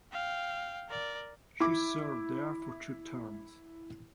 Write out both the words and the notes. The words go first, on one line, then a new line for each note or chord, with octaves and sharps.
She served there for two terms.
F5 G5
A#4 D5
E4 D6